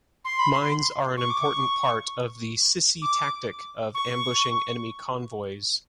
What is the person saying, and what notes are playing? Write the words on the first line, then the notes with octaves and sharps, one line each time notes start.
Mines are an important part of the Sissi tactic of ambushing enemy convoys.
C6
B5
C6
C#6
D6
C#6
D6
C#6